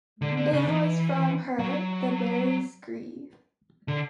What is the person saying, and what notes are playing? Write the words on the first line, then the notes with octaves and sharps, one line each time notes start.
It was from her, the very screed.
D3
D3
C#3
E3
F#3
D3